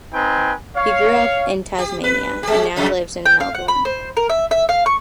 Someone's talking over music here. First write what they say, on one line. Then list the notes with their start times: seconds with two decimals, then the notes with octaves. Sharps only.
He grew up in Tasmania, and now lives in Melbourne.
0.13 C4 D#4 B4 G5 G#5
0.76 C#5 F5
1.79 G4
2.04 B4
2.43 G#3 G4
2.76 F2 C#3
3.26 G5
3.40 F5
3.55 F#5
3.68 B5
3.85 C5
4.17 A#4
4.30 E5
4.51 E5
4.69 F5
4.86 C#6